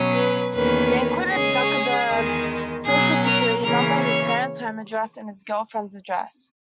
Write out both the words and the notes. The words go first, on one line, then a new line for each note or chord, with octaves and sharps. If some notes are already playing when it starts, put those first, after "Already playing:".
They included Zuckerberg's Social Security number, his parents' home address, and his girlfriend's address.
Already playing: B2 F#3 C#4
B4
E2 D#3 A#3 C#4 B4
C#3 G#3 C#4 G#4
E2 D#3 G#3
B2 F#3 C#4 G#4
A#4
C#3 E3 A#3 C#4 A#4
C#5